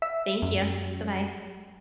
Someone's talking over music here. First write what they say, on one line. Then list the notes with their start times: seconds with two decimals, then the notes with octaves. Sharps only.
Thank you. Goodbye.
0.02 E5
0.42 F#2